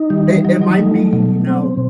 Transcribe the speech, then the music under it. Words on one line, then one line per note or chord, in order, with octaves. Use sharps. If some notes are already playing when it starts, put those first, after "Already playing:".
It it might be, you know
Already playing: D#4
D#3 G3
E3
F#3 D#4
F#3
G3 A3
F#3
B2 F#3
C4